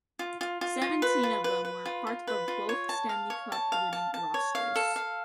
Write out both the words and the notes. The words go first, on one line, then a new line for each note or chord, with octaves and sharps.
Seventeen of them were part of both Stanley Cup winning rosters.
F4
F4
F4
F4
B4
F4
B4
B4
F4
F4
B4
F4
C#5
A5
F5
C#5
A5
F5
A5
A5
C#5
F5
A4
F5